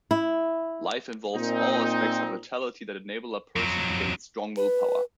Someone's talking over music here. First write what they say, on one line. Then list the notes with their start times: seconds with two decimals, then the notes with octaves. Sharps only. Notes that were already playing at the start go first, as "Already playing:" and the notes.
Life involves all aspects of vitality that enable a person to gain strong willpower.
0.11 E4
1.36 A#2 C4 D#4
3.56 F2 F#3
4.57 B4